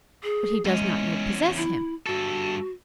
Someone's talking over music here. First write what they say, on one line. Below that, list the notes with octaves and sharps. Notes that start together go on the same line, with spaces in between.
But he does not yet possess Him.
G#4
E2 G#3 C#4
E4
G2 F#4 A4